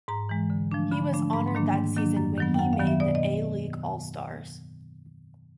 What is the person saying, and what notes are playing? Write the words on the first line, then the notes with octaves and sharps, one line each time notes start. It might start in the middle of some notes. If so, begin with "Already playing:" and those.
He was honored that season when he made the A League all stars.
G#2 A#5
E3 G#3
D3
F3 A3 D4
D3 B5
F3 A3 D4
G#2 B5
C6
D#3 F#3 A#3 D4
G#2
D#3 F#3 A#3 D4
F#2
D#3 F#3 B3
G5
F#2 F#5
F5
D#3 F#3 B3
E5
B2 D5
D#5